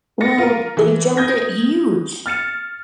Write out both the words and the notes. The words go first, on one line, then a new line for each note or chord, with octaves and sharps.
Well, they jumped it huge.
A6 A#6 C#7
F4 A#4
E3
D#6 G6 G#6 A#6
F6 A6 C#7 E7